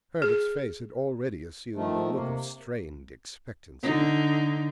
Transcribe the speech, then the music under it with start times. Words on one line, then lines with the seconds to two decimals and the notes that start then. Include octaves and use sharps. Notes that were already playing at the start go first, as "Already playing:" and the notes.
Herbert's face had already assumed a look of strained expectancy.
0.22 G#4
1.75 D#3 F3 A3
2.15 C3 A#3
3.83 D3 D#4